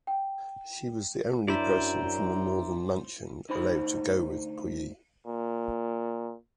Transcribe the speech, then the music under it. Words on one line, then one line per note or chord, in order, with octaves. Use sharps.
She was the only person from the Northern Mansion allowed to go with Puyi.
G5
F#2 D4 E4 C5 D5 E5 A#5
D2 D#4 C5 B5
A#2